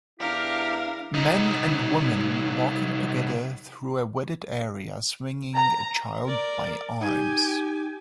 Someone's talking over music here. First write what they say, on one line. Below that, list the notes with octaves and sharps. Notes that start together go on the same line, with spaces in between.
A man and woman walking together through a wooded area swinging a child by arms.
E2 D4 E4 G4 A#4 F5
C2 D#4
A#5
A#4 D5
D#4 G4 G#5